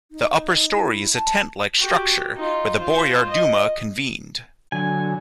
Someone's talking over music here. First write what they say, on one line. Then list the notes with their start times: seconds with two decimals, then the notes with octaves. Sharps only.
The upper story is a tent-like structure where the Boyar Duma convened.
0.11 D#4
0.75 E4
1.14 A5
1.78 F#4 G4
2.36 D#4 F4
2.79 F4 C5
3.29 D#5
4.72 D3 F#3 G#5